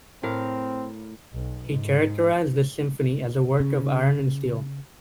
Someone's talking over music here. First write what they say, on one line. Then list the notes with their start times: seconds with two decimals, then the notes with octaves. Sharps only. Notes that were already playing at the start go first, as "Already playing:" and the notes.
He characterized this symphony as a work of "iron and steel".
0.23 A2 C4 A#4 F5
1.34 B1
1.68 G#2
3.60 C#3